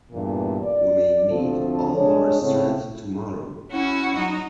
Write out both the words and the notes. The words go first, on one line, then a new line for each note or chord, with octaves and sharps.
We may need all our strength tomorrow.
E2 G2 A#2 E3
D5
D2 F3 C4 A4
G#3 D4 C#5
A2 C#3 C4 E4
C#4 E4 F#4
F#3 D#4